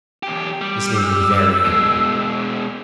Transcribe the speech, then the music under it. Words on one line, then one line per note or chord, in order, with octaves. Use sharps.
This made me very angry.
E2 G4
G3
E6
B2 G#3